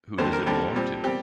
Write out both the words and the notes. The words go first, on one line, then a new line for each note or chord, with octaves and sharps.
Who does it belong to?
D#2 D3 G3 C4 C5
A#4
D#2 D3 G3 C4 A4
A#2 G3 C4
G3 C4 G4